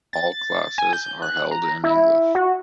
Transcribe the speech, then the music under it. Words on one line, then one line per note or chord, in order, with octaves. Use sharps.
All classes are held in English.
A6
G#5
G6
F#6
A#5
E4
F#4